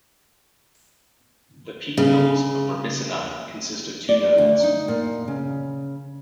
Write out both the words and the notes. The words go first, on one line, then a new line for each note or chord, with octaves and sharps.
The petioles of Myrmicinae consist of two nodes.
C#3
D5
D2
D#4
A#2
C#3